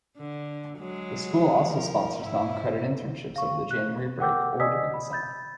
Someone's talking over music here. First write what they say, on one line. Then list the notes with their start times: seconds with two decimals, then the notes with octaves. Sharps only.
The school also sponsors non-credit internships over the January break or during the summer.
0.17 D3
0.79 F#3 G#3
1.72 F3 A#4
2.20 G#2 E4
3.36 F5 C#6
3.71 F#6
4.19 A#4 F#5 G5 D6 E6 G6
4.60 D5 D#5 G#5 D#6 E6 B6
4.94 B5
5.12 B5 G6 A6